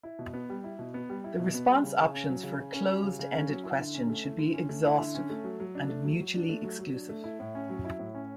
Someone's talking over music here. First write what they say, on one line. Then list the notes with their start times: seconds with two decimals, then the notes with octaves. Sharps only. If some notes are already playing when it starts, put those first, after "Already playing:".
The response options for a closed-ended question should be exhaustive and mutually exclusive.
0.03 E4
0.19 B2
0.33 B3
0.49 G3
0.64 E4
0.79 B2
0.94 B3
1.09 G3
1.24 E4
1.39 B2
1.54 B3
1.68 G3
1.84 C#3
1.99 C#3
2.14 C#4
2.29 F#3
2.43 C#3
2.59 C#3
2.74 C#4
2.89 F#3
3.04 C#3
3.19 C#3
3.35 C#4
3.48 F#3
3.64 E4
3.80 D3
3.95 C#4
4.10 A3
4.24 E4
4.39 D3
4.54 C#4
4.69 A3
4.84 E4
4.99 D3
5.15 C#4
5.30 A3
5.44 F#3
5.60 F#3
5.75 D4
5.89 A3
6.04 F#3
6.20 F#3
6.34 D4
6.49 A3
6.64 F#3
6.79 F#3
6.94 D4
7.09 A3
7.24 E4
7.40 A2
7.55 C#4
7.70 F#3
7.85 E4
7.99 A2
8.15 C#4